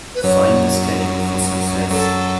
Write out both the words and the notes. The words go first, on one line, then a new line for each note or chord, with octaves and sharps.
Find the schedule for Success.
B4
F#2 F#3 C#5
F#2 F#3 A4